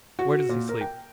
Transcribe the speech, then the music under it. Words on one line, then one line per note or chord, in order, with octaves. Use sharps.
'Where does he sleep?
F#4
A#2
A#4
G5